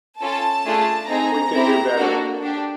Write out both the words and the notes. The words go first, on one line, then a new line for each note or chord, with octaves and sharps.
We can do better.
C#4 F4 A4 A5
A3 D4 F4 G#4
C4 D#4 G#4 A#5
C4 E4 G4
A#3 D4 F#4 A4
D4 G4